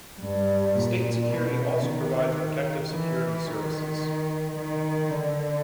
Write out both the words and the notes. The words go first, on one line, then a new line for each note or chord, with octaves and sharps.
State Security also provides protective security services.
G2
A#2
B2
D#3
E3
D#3
D#3
D3